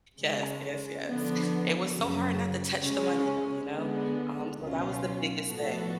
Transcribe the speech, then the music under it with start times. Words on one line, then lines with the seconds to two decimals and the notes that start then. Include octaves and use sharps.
yes, yes, yes. It was so hard not to touch the money though, you know? Um, so that was the biggest thing.
0.18 C#3 G#3 C#4
1.07 D3 F3 B3 D4
1.95 F#2 C#3 F#3
2.83 C#3 G#3 C#4
3.71 D3 G#3 B3
4.59 C#2 B2 F#3 C#4 F4
5.47 A2 F3 B3 F#4 A4